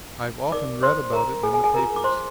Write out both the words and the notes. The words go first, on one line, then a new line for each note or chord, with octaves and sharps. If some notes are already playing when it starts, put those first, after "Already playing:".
I've often read about it in the papers.
D#4 A#4 D5 D6
C5 C6
A#4 A#5
G#4 G#5
G#4 G#5
G#4 G#5
F4 A#4 A#5
D6
C5 C6